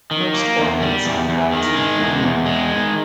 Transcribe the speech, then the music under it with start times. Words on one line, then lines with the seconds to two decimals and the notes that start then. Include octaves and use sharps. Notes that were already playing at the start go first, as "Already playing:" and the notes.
Most orchids have waxy pollinia.
0.11 D#3
0.34 A#3
0.58 E2
0.82 G3
1.05 E2
1.29 E2
1.52 D#3
1.75 G#3
2.00 E2
2.23 E2
2.46 G#3
2.70 D#3